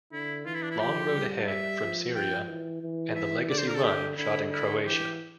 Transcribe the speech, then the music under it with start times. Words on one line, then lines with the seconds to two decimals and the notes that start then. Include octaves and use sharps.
"Long Road Ahead" from Syria, and "The Legacy Run" shot in Croatia.
0.12 D3 E4
0.45 E3 F4
0.54 E4
0.62 D4
0.70 E4
0.79 F3 G4
1.13 G3
1.47 E5
1.81 F3
2.15 G5
2.48 E3
2.82 E3
3.16 E5
3.49 D3 D5
3.58 C5
3.68 A#4
3.75 A4
3.83 G4
4.17 D3 E4
4.52 E4
4.85 E3 G4